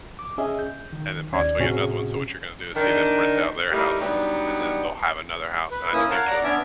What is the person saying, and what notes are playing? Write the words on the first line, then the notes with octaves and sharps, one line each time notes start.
and then possibly get another one, so, what you're gonna do is see them rent out their house, and then they'll have another house, and I just think you'll
D6
C#4 G#4 D#5 E5 G#5
G6
D#3
D#2 C#4 D5 G#6
A2 C3 C#4 F#4 G#4
D#3 D4
G3 A3 D#4 E4 G4 A#4
F#3 G3 B3 D4 D#4 G4
B4
A#3 C#4 E4 D#6 E6
A#4 C#5 F5 F#5 A5
D5 F#5 A#5 D6
B3 C#4 D4 C#5 D5 E5